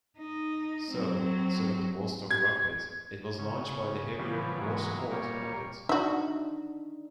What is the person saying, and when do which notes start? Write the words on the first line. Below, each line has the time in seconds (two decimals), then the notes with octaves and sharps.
So, instead of the Vostok rocket, it was launched by the heavier Voskhod rocket.
0.18 D#4
0.91 F#3 C4
2.31 G#6
3.39 C#3
4.19 C#3 E3 F3 G3 B3
4.61 G#2 E3 F#3 A#3
5.11 A#2 G3 A#3 C#5
5.89 D4 D#4 F#4 E5